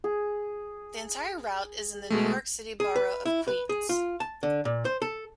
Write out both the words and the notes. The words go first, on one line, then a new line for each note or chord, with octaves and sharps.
The entire route is in the New York City borough of Queens.
G#4
B2 G#3 A3
G#4
B4
E4
B4
G#4
F4
A5
D3
A#2
C5
A4